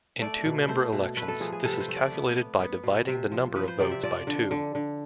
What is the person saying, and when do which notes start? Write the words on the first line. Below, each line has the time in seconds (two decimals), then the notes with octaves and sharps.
In two-member elections this is calculated by dividing the number of votes by two.
0.21 A3 D5
0.45 B2
0.68 A3 C5
0.92 B2
1.17 A3 B4
1.28 A4
1.40 F3 G#4
1.52 G#4
1.64 C3 A4
1.73 B4
1.80 C5
1.88 A3
1.96 D5
2.12 B3
2.36 B3
2.60 B3
2.84 B2
3.07 C3 E5
3.32 F3
3.55 F3 B4
3.68 C5
3.79 C3 D5
3.91 E5
4.03 F3 D5
4.27 D3
4.51 D3
4.75 D3